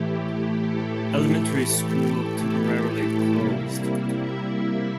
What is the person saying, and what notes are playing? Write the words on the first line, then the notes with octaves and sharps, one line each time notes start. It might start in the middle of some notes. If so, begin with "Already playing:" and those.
Elementary school temporarily closed.
Already playing: A2 E3 A3 E4 G4
A4
C3 G3 A#3 E4
E5